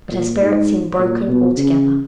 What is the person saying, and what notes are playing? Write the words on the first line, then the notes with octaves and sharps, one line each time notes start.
But her spirit seemed broken altogether.
A#2
G#2
A#2
B2
C#3